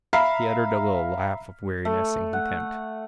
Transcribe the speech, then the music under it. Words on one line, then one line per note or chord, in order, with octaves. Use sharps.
He uttered a little laugh of weariness and contempt.
E5 F5 A#5 B5 F6 C7
A3
F#5